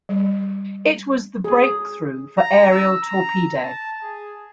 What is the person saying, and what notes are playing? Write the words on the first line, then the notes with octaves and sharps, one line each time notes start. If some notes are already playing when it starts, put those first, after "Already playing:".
It was the breakthrough for aerial torpedo.
G3
G#4
A#5
E6
A#5
A5
G#4